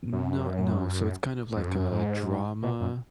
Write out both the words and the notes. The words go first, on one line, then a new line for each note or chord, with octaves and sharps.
No, no, so it's kind of like a drama
F#2
F2
F#2
F#2
G#2
B2
F#2